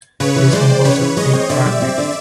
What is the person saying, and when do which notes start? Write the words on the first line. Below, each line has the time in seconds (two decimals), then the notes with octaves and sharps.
It is composed of eight barangays.
0.20 C#3 B4 C#5
0.36 E3
0.52 G#3 C5 D5
0.69 C4
0.84 C#3 B4 C#5
1.01 E3
1.17 G#3 C#5 D#5
1.33 C4
1.49 D3 D5 E5
1.66 G3
1.82 C4
1.98 D3